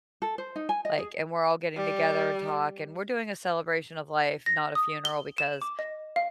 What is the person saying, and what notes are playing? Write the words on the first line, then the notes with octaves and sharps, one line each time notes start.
like and we're all getting together and talk and we're doing a celebration of life, not a funeral because
A4
C5
D#4
G#5
D#5
G#4
G3
A#6
D#6
G7
E7
D6
D#5
F5